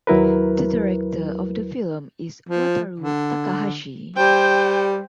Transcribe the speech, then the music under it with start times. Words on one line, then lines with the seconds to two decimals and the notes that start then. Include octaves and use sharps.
The director of the film is Wataru Takahashi.
0.07 D#2 F#3 E4 A#4 B4
2.49 F3
3.00 D3
4.16 G3 C5 G5